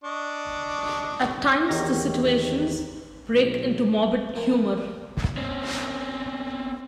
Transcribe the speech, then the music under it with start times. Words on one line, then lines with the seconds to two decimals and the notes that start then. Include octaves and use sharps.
At times the situations break into morbid humour.
0.04 D4 D#5 C#6
1.68 E2 D#3 D#4 G4 C#5 A#6
3.33 B1
4.35 F3 A#4 G5 G#5
5.37 C4 C#4